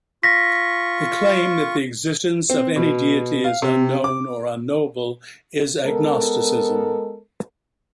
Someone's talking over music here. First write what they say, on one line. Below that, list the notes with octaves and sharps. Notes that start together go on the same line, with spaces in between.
The claim that the existence of any deity is unknown or unknowable is agnosticism.
F4 C#6 A#6 B6
C4
B2
F5
C3
D6
G#3 B3 A4 A#4